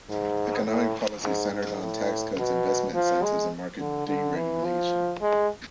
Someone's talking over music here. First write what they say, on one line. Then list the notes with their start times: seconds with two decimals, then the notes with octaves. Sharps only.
Economic policy centered on tax cuts, investment incentives and market deregulation.
0.10 G#2
0.67 A2
1.24 G#2
1.52 G#2
1.81 A2
2.37 B2
2.94 F3
3.23 G#3
3.79 D3
4.07 D3
4.36 E3
4.64 F3
5.21 G#3